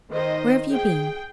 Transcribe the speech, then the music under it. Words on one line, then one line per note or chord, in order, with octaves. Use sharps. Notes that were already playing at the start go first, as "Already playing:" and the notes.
Where have you been?'
D#3 C5 D#5
G#4 G5